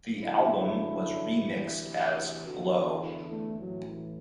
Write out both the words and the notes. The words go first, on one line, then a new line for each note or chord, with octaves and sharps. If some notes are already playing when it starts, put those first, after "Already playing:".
The album was remixed as Blow.
F#2 D3 E4
D2 C3 E3
E2 D3 F#4
E4
A3
A1 A2 E3 F#3
E3